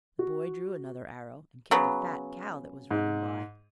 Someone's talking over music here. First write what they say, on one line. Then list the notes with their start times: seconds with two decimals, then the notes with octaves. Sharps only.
The boy drew another arrow, and killed a fat cow that was running by.
0.19 F#4
1.71 C#3 F#3 B3
2.91 G#2